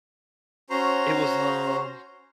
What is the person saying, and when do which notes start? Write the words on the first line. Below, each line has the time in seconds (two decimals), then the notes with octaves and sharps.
It was, um
0.70 C#4 F#4 C5 A#5 C6